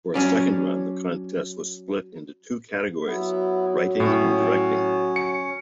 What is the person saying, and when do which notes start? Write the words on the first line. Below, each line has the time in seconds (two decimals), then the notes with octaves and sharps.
For its second run, the contest was split into two categories: writing and directing.
0.14 F#3 C#4 D4
3.07 F#3 B3 E4
4.00 A2 C#4
5.16 C#7